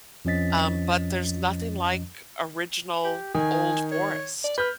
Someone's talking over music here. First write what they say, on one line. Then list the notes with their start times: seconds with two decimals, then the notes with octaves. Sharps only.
um, but there's nothing like original old forest.
0.25 F2 F3 C#4 D#5 A6 B6
3.04 G4
3.34 D#3 G#5
3.92 C#5
4.44 D5
4.58 B4 F6 G6